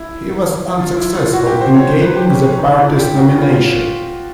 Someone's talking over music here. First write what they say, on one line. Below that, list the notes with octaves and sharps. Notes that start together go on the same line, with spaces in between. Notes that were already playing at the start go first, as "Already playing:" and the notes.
He was unsuccessful in gaining the party's nomination.
Already playing: E4
F4
E4
F4
F#4
G4
C5
C#5
C5
B4
G4
C#4
C#4
D#4
E4
F4
G4
F#4
F4
F4